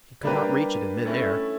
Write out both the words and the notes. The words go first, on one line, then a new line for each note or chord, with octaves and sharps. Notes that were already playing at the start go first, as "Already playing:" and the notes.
He could not reach it in mid-air.
G3 A#3 D4 G4 B4
A3 C#4 E4 A4 C#5